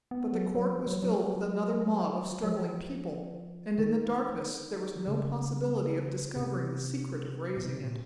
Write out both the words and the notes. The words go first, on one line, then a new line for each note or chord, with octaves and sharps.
But the court was filled with another mob of struggling people, and in the darkness there was no possibility of discovering the secret of raising it.
B3
F#3
F#3
F3
F#3
F#3
G3
F#3
F#3
F3
D#3
C#3
C3
B2
C3
A#2